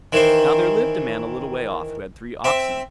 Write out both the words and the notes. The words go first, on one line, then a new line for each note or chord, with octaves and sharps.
Now there lived a man a little way off who had three oxen.
D#3 E3 C5
C4 E5